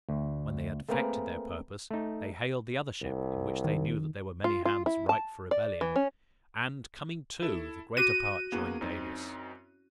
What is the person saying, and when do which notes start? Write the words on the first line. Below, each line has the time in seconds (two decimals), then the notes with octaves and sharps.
When they had effected their purpose, they hailed the other ship, in which they knew that there were many hands ripe for rebellion, and coming to, the greater part joined Davis.
0.09 D2
0.89 A3 A#3 C4 G#4 A#4 B4
1.91 A3 D#4
3.03 C2
3.64 D#3
4.44 F4
4.65 F4
4.86 E4
5.09 A5
5.51 D5
5.81 E3
5.96 C#4
7.42 E4 A4 E7
7.97 F#4 D6 F#6 A#6 D#7
8.52 A#3 B3 C#4 E4 G#4 C#6
8.81 F#2 C4 D#4